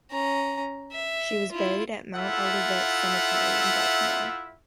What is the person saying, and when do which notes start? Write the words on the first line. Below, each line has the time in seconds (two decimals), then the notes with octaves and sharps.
She was buried at Mount Olivet Cemetery in Baltimore.
0.11 C#4 A#5
0.92 E5
1.52 E4 F4
2.14 E4 F4 A4 E5 F#5